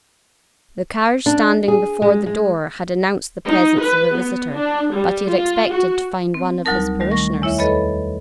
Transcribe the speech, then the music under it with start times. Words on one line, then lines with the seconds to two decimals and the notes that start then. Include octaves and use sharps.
The carriage standing before the door had announced the presence of a visitor; but he had expected to find one of his parishioners.
1.26 D4
1.68 G#4
2.02 G#3
2.26 G#3
3.49 D#4
3.82 B4
4.17 B3
4.55 D4
4.93 G3
5.31 F4
5.74 F#4
6.34 C4
6.65 D2 F#3 G3 D#4 A#4 A5
7.00 D#3 G3 A3
7.11 C#6 A#6
7.42 E2 E4 C#5 E5
7.58 A4 B4 C#5 D#5 B5